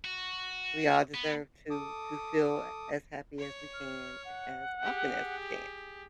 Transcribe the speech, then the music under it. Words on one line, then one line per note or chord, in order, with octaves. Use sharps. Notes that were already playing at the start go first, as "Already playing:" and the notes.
We all deserve to to feel as happy as we can as often as we can.
F#4
B3
A4 D6 D#6
C#5
F6
F#5
G4 G#4